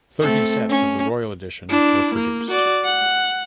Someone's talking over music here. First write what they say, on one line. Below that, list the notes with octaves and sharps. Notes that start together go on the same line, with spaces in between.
Thirty sets of the Royal edition were produced.
A3 C4 A4
C#4
D4 E4
A#3
F#4 D5
F#5